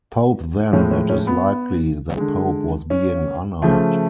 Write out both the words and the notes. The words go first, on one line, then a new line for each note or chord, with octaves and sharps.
Pope then it is likely that Pope was being honoured.
A2 F3 G#3 C#4
C#4
C#4
B3
D3 G#3
C#4
C#3 F3 A3